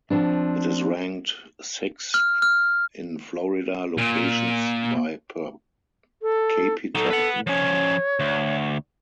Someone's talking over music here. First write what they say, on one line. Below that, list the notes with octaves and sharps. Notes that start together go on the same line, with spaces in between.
It is ranked sixth in Florida locations by per capita income.
F3 C4 D4
F6
F6
A#2
A4
F#3 D#4 A4
B4 F#5
F3 C#4 C#5
D2